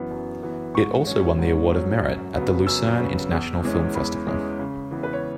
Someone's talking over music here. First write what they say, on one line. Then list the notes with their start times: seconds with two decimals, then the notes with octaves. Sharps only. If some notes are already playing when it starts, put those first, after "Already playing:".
It also won the Award of Merit at the Lucerne International Film Festival.
Already playing: F#2 E3 B3
0.11 F#2
0.43 E3 B3
0.74 G#2 C#6
1.07 F#3 C#4
1.39 G#2
1.71 F#3 C#4
2.03 F#2
2.35 C#3 F#3 B3
2.67 F#2 E6
2.99 C#3 F#3 B3
3.31 E2
3.63 E3 G#3 C#4
3.95 E2 B5
4.27 E3 G#3 C#4
4.59 C#3
4.91 E3 B3
5.03 B4
5.13 C#5